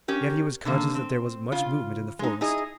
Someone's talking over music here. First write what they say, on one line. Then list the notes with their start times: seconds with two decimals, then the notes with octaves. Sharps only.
Yet he was conscious that there was much movement in the forest.
0.08 C#4 G4 A#4
0.65 D3 D#3 A#3
0.95 C4
1.52 C#3 F4
2.19 G#3 D#4
2.41 D#4 E4 G#4 D#5